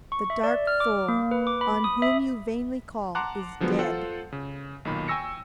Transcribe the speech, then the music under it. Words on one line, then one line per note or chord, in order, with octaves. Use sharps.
The dark Thor, on whom you vainly call, is dead.
C#6
E5
D5
F6
D6
A#3
B4
D6
B5
D#6
E5
F#5 A5 A#5 C6 D6 F#6
D3 F3 F#3 G#3 B3
F4 A4 C5 F#5
C#3
B1 A#2 D#3 B5
G5 G#5 C#6 E6 A#6 C#7